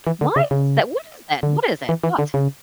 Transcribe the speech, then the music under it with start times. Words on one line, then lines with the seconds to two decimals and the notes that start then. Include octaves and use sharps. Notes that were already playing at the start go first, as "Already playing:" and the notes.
Why is that? What is that? What is it? What?
0.07 E3
0.21 D3
0.36 C#3
0.51 C#3
1.43 D3
1.89 E3
2.04 E3
2.19 D3
2.34 C#3